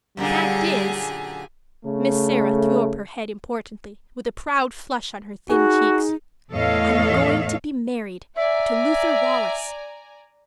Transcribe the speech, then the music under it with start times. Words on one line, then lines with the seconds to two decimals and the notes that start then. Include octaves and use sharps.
The fact is--" Miss Sarah threw up her head importantly, with a proud flush on her thin cheeks--"I'm going to be married--to Luther Wallace.
0.17 F#2 A#2 D3 G3 G4 G#4 G#5
1.83 C#3 A3
5.49 D#4 F#4 G#4
6.52 E2 A2 A4 C#5 D#5 F5
8.37 D5 E5 G#5 A#5